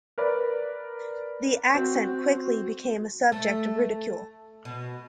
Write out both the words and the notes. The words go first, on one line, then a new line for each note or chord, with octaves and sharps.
The accent quickly became the subject of ridicule.
A#4 B4 D5
C4 F#4
A3
B2